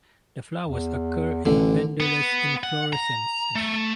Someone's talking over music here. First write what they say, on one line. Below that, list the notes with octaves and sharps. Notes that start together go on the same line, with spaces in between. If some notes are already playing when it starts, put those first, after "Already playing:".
The flowers occur in pendulous inflorescences.
E2
A1 D3 E3
B3
F#5
A#5
A3